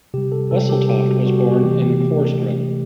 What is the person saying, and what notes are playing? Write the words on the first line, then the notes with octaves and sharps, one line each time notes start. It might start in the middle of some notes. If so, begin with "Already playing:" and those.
Wesseltoft was born in Porsgrunn.
C3 G3 G4
A4
C3 G3 A4
G4
C3 G3 G4
F#4
C3 G3 F#4
G4
F#4
C3 E3 A3 G4
G4
C3 E3 A3 G4